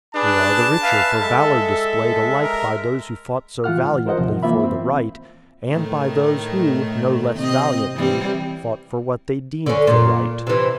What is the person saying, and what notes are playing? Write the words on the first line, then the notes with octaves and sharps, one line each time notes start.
We are the richer for valor displayed alike by those who fought so valiantly for the right, and by those who, no less valiantly, fought for what they deemed the right.
D4 G#4 B4 A5
B4 E5 F5 G#5
G#3 A4 E5
A#4
E3 F4 F#5 F6
G#2
F4 A#4 C5 D#5 F#5
D#2 A2 C3 F3
G#2 E3 A#3 F4 E5 B5
C4
A2 D#3 A3
C3 C4 D#5
E3 G3 C4
D3 C#4
A#2
C3 E3